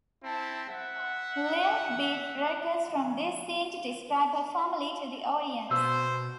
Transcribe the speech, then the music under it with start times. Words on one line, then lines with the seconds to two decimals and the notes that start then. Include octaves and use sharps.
Li'l Bit breaks from this scene to describe her family to the audience.
0.24 C4 E4 A5
0.70 E5 F#5
5.71 B2 C5 E6